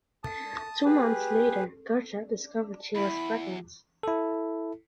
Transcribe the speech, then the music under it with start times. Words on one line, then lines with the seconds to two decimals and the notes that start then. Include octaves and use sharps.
Two months later, Garcia discovered she was pregnant.
0.23 A5 D#6
0.85 G4 G#4 B4
2.95 E2 E4 B5
4.03 E4 A4